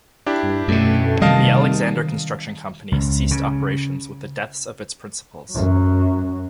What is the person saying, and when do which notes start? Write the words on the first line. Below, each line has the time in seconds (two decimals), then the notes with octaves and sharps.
The Alexander Construction Company ceased operations with the deaths of its principals.
0.26 D4 E4 G4
0.43 G2
0.68 F#2 B2 A3
1.22 C3 D#3 G3 D#5 F5 A5
2.92 C#2
3.31 C#3
5.52 F#2 F#3